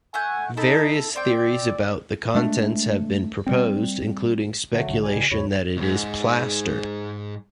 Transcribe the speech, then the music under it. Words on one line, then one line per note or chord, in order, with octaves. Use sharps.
Various theories about the contents have been proposed, including speculation that it is plaster.
A3 F#5 G#5 G6
D#4 E4 A4 A5
C4 D5 G5
G#3 A3 D4
G3 C4
D3 F#3 A3
B1 G#2 D3
B2 G3 G#5
C#3
E2 C#3 F#3 C#5 B5
D#2 G#2